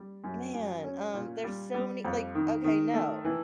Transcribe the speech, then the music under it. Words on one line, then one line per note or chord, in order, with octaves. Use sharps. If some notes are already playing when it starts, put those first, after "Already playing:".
man, um, there's so many, like okay, no.
Already playing: G3
F#2
F#2
C#4
A#2
G3
G3
F2
D#3
D#3
A3
E3